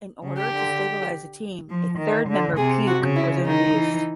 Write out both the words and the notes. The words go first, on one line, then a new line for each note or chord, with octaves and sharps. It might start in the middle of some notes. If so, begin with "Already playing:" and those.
In order to stabilize the team, a third member, Puke, was introduced.
C#3
G4
D3
F3
D#3
D3
C3 G#4
F#4
C#3
E4
D#3 D#4
E3